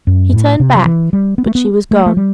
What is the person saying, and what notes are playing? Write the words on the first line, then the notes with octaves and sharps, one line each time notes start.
He turned back, but she was gone.
F#2
A2
C3
F#3
E3
G3
B3
A3
B3
A3
A3
G3